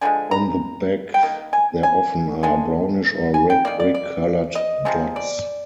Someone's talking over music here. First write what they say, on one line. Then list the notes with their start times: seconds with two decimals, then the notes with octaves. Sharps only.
On the back there often are brownish or red-brick coloured dots.
0.01 D3 F3 G#3 G#5
0.31 A#5
1.14 G5
1.23 D#3 A#3
1.53 G#5
1.83 G#5
2.43 D3 G#3 G#5
3.34 G#5
3.50 G5
3.65 D#3 A#3 D5
3.80 D5
3.94 D5
4.55 D#5
4.85 C3 F3 G#3
5.16 D5